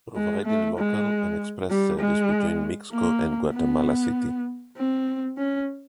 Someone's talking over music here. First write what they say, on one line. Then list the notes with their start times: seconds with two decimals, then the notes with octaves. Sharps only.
Providing local and express service between Mixco and Guatemala city.
0.16 G#3
0.46 A3
0.78 G#3
1.70 G3
2.00 G#3
2.92 A#3
3.53 B3
4.77 C4
5.38 C#4